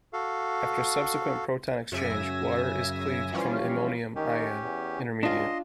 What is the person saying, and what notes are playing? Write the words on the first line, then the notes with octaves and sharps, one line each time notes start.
After subsequent proton exchange, water is cleaved from the iminium ion intermediate.
F#4 A4 F5
F#2 C#3 E5 G#5 A#6
E3 F3 G3 C#4 F4
D#3 C#4 G4
E2
C#2 D4 F4 D#5 C6